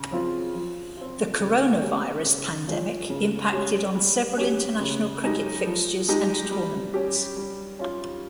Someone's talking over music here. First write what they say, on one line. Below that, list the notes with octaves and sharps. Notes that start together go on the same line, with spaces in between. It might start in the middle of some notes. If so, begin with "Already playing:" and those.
The coronavirus pandemic impacted on several international cricket fixtures and tournaments.
Already playing: C#3
F3 C4 F4
F3
C4 F4
C#3
G#3 C#4 G4
C#3
F3 G#3 C#4 F4
C#3
G#3 C#4 G4
G3
C#4 G4
C#3
G#3 D#4 G4
F3
G#3 D#4 G4
G3
C#4 G4
G3
C#4 F4